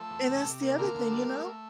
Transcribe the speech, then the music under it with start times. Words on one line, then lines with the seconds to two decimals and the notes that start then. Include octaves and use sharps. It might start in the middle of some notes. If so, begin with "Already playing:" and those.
And that's the other thing, you know?
Already playing: F3 A3 A4
0.10 E2
0.28 C3
0.44 C3
0.61 A#3
0.78 D3 A#3 A#4
0.95 D3
1.12 G3
1.29 A3
1.46 A3